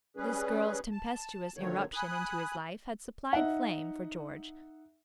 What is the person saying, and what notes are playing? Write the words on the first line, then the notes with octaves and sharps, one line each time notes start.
This girl's tempestuous irruption into his life had supplied flame for George.
G3 C#4 G#4 B4
A5
D3 D#3 F3 F#3 A3 C#5
G#5 B5 D#6 F#6
D#4 E5 F#5